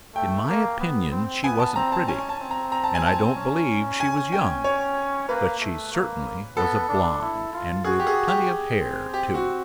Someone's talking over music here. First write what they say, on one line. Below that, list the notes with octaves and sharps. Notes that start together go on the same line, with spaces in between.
"In my opinion she wasn't pretty, and I don't believe she was young, but she certainly was a blonde, and with plenty of hair too."
A3 G5
A#3
B3
C4
B3 G#5
A5
C4 A#5
A5
C#4 G#5
A5
C4
A#5
A#5
A5
G#5
A5
C#4
G#5
G5
C#5
A#3 B4
A3
A#3
B3 A4
D4
E4
F4
F#4 G#4
G4
G#4
G4
C4
G4
F#4